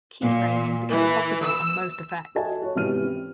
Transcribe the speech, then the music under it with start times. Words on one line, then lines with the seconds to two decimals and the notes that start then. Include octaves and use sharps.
Keyframing became possible on most effects.
0.22 A#2
0.90 E3
1.43 E6
2.35 F#4 A4 D#5 E5 G#5 A5
2.62 F#4 C#5
2.75 G#2 C3 E3 B3 F6 D#7
3.04 C4